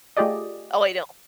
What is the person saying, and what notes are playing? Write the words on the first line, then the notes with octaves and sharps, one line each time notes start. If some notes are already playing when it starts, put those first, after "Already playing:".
Oh, I know.
A3 F4 G4 G#4 D5 D#5